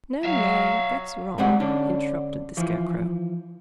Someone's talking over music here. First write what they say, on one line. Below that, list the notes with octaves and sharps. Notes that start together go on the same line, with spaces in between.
"No, no; that's wrong," interrupted the Scarecrow.
F#3 E5 F5
G#2 G3 G#3 C4 F#5
D3 C#4 D4
E3 F3